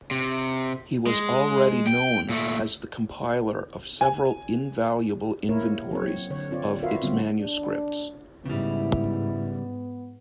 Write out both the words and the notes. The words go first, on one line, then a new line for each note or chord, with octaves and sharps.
He was already known as the compiler of several invaluable inventories of its manuscripts.
C3
G#3
G5
A#2 A3
G#5
A#3 E4 A#4 C#5
F#3 C4 C#5
D3 C#5
C4 F4 C#5 D5
F4 F#4 A#4 B4 E5 F5
D3 G3 B3 C4 F4
D4
G#2 C#3 G3 B3 E4